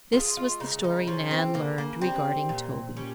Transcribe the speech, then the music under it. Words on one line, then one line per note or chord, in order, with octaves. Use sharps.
This was the story Nan learned regarding Toby.
G#3 F4
F4
C#3 D#4
D#4
F3 C#4
C4
C#3 A#3
A#3
G3 C4
A#2
G3 C#4